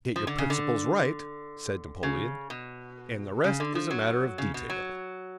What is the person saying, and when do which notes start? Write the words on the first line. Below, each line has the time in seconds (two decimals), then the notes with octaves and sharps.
"Get your principles right," said Napoleon, "and the rest is a matter of detail."
0.16 F3
0.27 D3
0.38 C#3
0.50 D3
2.03 C#3
2.50 B2
3.44 C#3
3.60 D3
3.75 F3
3.91 F#3
4.38 C#3
4.54 B2
4.70 F#3